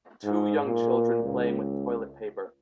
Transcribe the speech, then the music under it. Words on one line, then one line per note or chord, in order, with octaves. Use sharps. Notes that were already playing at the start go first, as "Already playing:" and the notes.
Two young children playing with toilet paper.
G#2
A#2
C#2